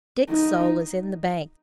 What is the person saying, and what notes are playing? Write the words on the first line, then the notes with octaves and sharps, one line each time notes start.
Dick's soul is in the bank.
D#4